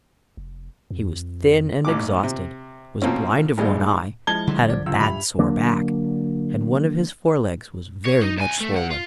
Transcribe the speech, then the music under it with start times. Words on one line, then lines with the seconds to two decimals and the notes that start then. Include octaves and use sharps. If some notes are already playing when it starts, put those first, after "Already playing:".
He was thin and exhausted, was blind of one eye, had a bad sore back, and one of his forelegs was very much swollen.
0.37 F1
0.91 F2
1.85 A1 D#2 D6
2.23 C3
3.02 B2 F3 A#3 C4 C#4
3.58 G#1 D#2 G3 G#3
4.27 F3 G#3 E4 A5 G#6 G7
4.47 D3 F#3 G3
4.68 C2 F3 D5
4.86 C#2 E6
5.00 G2 G4 E5 B5 F7
5.38 D3 F#3 A#3 D4
8.06 C#5
8.21 D#4
8.37 D2 G#5
8.60 A3
8.74 F#2 F#5
8.90 F4